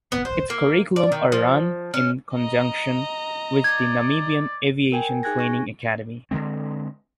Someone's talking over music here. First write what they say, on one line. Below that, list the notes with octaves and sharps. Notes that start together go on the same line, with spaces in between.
Its curriculum are run in conjunction with the Namibian Aviation Training Academy.
B3
C5
A#3
D5
D#3
F3
C#4
D#5 A#5
D5 G#6
A#4 G5 G#5
D#4 G#4 G#5 F#6 G#6 A#6
C#6 A#6
D3 D#3 G#3 C4